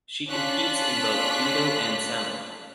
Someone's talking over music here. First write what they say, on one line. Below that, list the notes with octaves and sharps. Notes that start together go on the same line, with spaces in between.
She competes in both judo and sambo.
C#4 D4 F4 F#6 B6